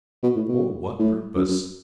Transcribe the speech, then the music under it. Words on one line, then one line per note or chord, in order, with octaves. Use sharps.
"For what purpose?"
B2
A2
B2
A2
F#2
F#2